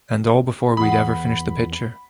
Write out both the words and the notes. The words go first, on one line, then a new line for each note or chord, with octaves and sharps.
And all before we'd ever finished the picture.
E2 F#5 B5 D#6